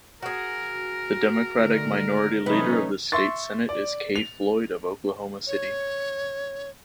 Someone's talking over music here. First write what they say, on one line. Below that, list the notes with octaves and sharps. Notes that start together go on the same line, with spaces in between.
The Democratic minority leader of the state senate is Kay Floyd of Oklahoma City.
F#4 G#4 A#4
D3 D#3 A3
C3 E3 F#3 A3 C#4 D#4 B4
E5 C6 C#6 A6
D5
F7
C#5